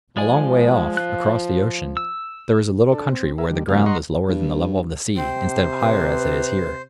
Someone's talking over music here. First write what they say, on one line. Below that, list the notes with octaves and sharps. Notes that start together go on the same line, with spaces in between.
A long way off, across the ocean, there is a little country where the ground is lower than the level of the sea, instead of higher, as it is here.
F3 G#3 D5 G#5
F4 F#6
E6
D4 A4
C4
G#4 A#4 E5
D3 D#3 G3
F#2 C#3 G3 G#3 A#3 F5
D#5 F#5 A#5 C6 C#6
G2
C3 C5 G5
B4